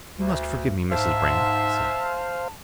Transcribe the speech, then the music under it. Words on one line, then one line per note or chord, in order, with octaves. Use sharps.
"You must forgive me, Mrs. Brand," he said.
D2
G#2 C5 E5 F5 A5